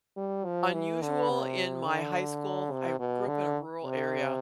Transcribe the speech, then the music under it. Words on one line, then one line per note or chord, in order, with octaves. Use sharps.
unusual in my high school, I grew up in a rural area,
G3
F3
E3
D3
C3
D3
C3
B2
D3
C3